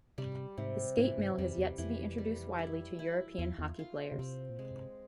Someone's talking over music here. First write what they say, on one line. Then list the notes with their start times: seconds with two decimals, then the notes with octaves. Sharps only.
The skatemill has yet to be introduced widely to European hockey players.
0.18 C3 G3
0.58 G#2 C3
0.98 G#2 E3
1.18 G2
1.38 F2 G3
1.58 E2
1.78 F2 E3
2.18 G3
2.59 E4
2.99 E4
3.38 E2 F4
3.59 E2
3.79 F4
4.12 C#3
4.19 C3 C4
4.50 A#2
4.59 C3 G#3